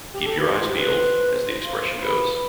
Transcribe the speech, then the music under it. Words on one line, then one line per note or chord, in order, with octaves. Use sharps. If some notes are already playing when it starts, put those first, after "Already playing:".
"Keep your eyes peeled", as the expression goes.
G4
A4
B4
G4 C5
F4
G4
B4
F5
B4 B5